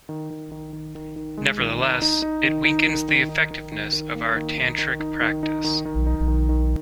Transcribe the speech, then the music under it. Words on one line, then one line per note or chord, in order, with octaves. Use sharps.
Nevertheless, it weakens the effectiveness of our tantric practice.
D#3
D#3
D#3
D#3
D#3
D#3
G#3
D#3
D#4
D#4
D#4
D#3
D#4
D#3
D#3
D#4
D#3
D#3
D#3
A#3
D#3
D#4
D#3
D#4
D#3
D#4
D#3
D#3
D#4
D#3
D#3